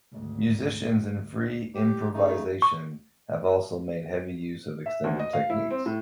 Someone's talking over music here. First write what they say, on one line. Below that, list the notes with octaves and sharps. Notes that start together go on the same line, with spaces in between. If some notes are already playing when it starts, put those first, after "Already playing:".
Musicians in free improvisation have also made heavy use of extended techniques.
G#1 D2
D2
G3 G4
C#3 A3 D#4
C#6
E5
D2
D#5
F5
E4
C4
A2